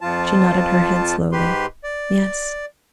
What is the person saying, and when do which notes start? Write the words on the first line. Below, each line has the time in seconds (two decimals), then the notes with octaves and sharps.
She nodded her head slowly: "Yes."
0.01 F2 F3 F4 A5
1.32 G#2 G4 B4 C6
1.84 D5